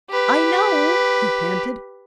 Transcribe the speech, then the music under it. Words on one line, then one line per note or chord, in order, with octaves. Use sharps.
"I know!" he panted.
G4 B4